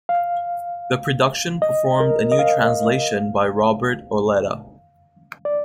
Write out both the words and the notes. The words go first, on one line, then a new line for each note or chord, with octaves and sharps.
The production performed a new translation by Robert Auletta.
F5
D#5
A#4
D#5
F5
D5